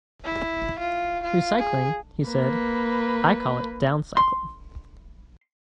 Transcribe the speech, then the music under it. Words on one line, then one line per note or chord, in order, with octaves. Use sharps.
"Recycling, he said, "I call it downcycling.
E4
F4
F4
G#4
A#3 B4
C6